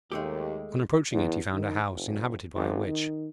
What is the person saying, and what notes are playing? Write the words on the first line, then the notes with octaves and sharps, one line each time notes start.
On approaching it, he found a house inhabited by a Witch.
D#2 G#3 A3 G4
E2
D#3
F#1
G#1
D#3